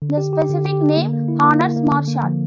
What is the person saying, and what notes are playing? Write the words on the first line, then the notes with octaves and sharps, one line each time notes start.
The specific name honours Marshall.
D3
G4
G4
D3
G4
D3
A#3
A#3
E4
A#3
A#3
A#3
D3
A#3
F3